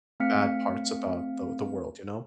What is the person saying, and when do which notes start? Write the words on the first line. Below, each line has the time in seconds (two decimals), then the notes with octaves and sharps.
bad parts about the the world, you know?
0.20 A3 C4 F5 F6 B6 C#7